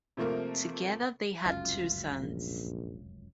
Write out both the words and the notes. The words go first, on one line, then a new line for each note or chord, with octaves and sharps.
Together they had two sons.
C3 F3 A3 A#3 A#4
F1 C#2 F#2 F4
A#1